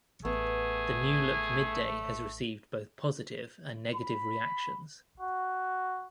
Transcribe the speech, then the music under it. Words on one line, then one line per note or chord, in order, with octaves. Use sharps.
The new look Mid-Day has received both positive and negative reactions.
A1 A3 B3 G#4
B5
F#4